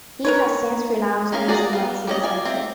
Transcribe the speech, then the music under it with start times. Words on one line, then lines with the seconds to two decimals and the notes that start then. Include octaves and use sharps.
He has since renounced New Zealand citizenship.
0.25 A#4 B4 C#5
1.32 A#3 C#4 G#4 A#4 F5
1.48 F#4 G#4 D5 F#5 A#5
1.73 B3 F5
2.07 G3 C#4 D#5
2.24 D5 F5 G#5
2.45 C4 E5